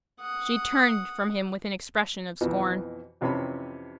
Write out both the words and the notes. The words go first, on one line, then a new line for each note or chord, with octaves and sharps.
She turned from him with an expression of scorn.
F#5 D#6
F2 B2 E3
F2 C3 E3 C#4 A5 B5